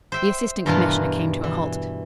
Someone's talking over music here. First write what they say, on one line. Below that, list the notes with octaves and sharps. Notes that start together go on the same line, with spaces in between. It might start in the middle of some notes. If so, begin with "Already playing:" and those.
The Assistant Commissioner came to a halt.
C5 E5 G5
G2 B2 E3 F4 A#4 B4
E3